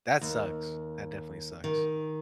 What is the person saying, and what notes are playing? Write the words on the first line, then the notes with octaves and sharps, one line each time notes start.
That sucks. That definitely sucks.
D#2
D#3